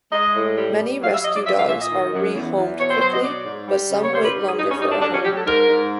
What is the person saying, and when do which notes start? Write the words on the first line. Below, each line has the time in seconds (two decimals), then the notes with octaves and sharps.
Many rescue dogs are rehomed quickly, but some wait longer for a home.
0.12 G#3 D#5
0.34 A2
0.57 G3
0.80 G3
1.01 F#3 F5
1.13 E5
1.24 F#3 D#5
1.35 D5
1.46 F3 E5
1.57 F5
1.68 A#2 E5
1.79 D#5
1.91 D#3
2.13 F#2
2.35 E2
2.57 E2
2.79 B2 C#5
2.91 C5
3.01 F#3 C5
3.13 D#5
3.24 F#3 D5
3.46 G#2
3.68 G3
3.91 C#3
4.02 C#5
4.13 G3 C5
4.24 B4
4.36 G#2
4.46 G#4
4.58 G2 D#4
4.68 C#4
4.79 G3 D#4
4.91 D4
5.01 F#3 D4
5.13 C#4
5.24 F#3 G4
5.35 A4
5.46 G#2 A#4
5.69 G#2